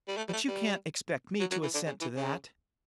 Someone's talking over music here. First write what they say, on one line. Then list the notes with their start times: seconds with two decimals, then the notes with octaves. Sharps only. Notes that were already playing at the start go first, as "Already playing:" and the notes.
"But you can't expect me to assent to that?"
0.08 G3
0.17 A3
0.29 G3
0.33 A3
0.48 G3
1.40 F#3
1.51 F#3
1.63 E3
1.74 D3
1.86 C#3
2.01 E3
2.16 C#3